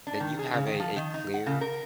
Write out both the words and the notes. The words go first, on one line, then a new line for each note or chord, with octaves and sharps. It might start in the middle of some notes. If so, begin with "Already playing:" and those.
then you have a a clear,
D4
D#3
G#4
C#3
D#3
F3
D#3
D#4
F#5
C#3
A#4